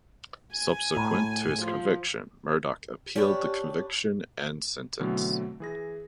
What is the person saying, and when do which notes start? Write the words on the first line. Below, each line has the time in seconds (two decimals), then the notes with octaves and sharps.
Subsequent to his conviction, Murdoch appealed the conviction and sentence.
0.54 G#5
0.96 A2 A#5
1.63 F3
3.16 C#4 D4 G4 B4
5.00 B2 D3 E3 F#3 A3 C4
5.60 E3 G#4 A#6